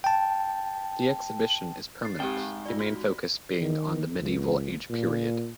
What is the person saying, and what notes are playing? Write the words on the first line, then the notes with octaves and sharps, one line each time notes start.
The exhibition is permanent, the main focus being on the Medieval age period.
G5 A5
A6 C7
G#2 F#3 C4 G4 G5
F4 D5
F#4
D#3
C#2
A#2